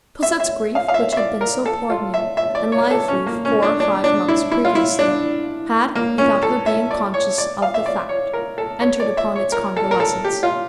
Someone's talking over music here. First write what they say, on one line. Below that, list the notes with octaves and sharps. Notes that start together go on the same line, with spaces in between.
Cosette's grief, which had been so poignant and lively four or five months previously, had, without her being conscious of the fact, entered upon its convalescence.
E5
E5
F5
F5
E5
E5
D5
A#4
A4
F4
E5
E5
D5
C#5
A4
C#4
A#3
C#4
D4
D4
D4
E4
E4
F4
E4
D4
A#3
C#4
A4
E5
D5
C#5
D5
F5
E5
D5
C#5
A#4
A4
C#5
D5
E5
C#5
A#4
A4
A#4
A4
G4
F4